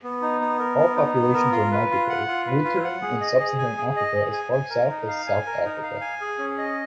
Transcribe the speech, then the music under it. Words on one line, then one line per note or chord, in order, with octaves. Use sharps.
All populations are migratory, wintering in sub-Saharan Africa as far south as South Africa.
B3
D#4
B3
A#4
B3
D#4
B3
A#4
F4
B4
F4
F#5
F4
B4
F4
F#5
G#4
D#5
G#4
G#5
G#4
D#5
G#4
G#5
G#5
A#4
D#4
F5
G#5
A#4
D#4
F5
G#5
G#4
C#4
D#5